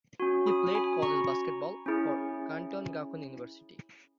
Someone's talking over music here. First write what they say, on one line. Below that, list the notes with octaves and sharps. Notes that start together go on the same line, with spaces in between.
He played college basketball for Kanto Gakuin University.
C#4 F#4
B5 D#6
G#5 B5
A#5 C#6
C#4 E4 G#4